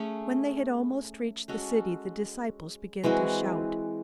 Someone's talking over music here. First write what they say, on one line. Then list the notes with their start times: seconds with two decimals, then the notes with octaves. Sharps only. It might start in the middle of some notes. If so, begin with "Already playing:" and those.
When they had almost reached the city, the disciples began to shout.
Already playing: A3 C#4 G#4
1.48 G#3 C#4 F#4 A4
3.03 E3 G#3 C4 F#4